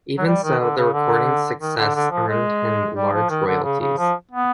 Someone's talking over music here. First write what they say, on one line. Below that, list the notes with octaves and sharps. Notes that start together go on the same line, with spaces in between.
Even so, the recording's success earned him large royalties.
F#3
G3
D#3
D3
C#3
D3
D#3
D3
D3
F3
G#3
G3
F3
D#3
D3
C#3
C#3
F3
B3